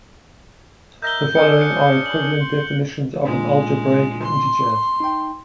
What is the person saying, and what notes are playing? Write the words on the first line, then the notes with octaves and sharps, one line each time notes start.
The following are equivalent definitions of an algebraic integer.
A#4 D#5 E5 G6 A#6 G7
C#4 D4 G#4 C#7
F#6 C#7
F#7
C6
A#2 G#3 D4
C6
D#4 G5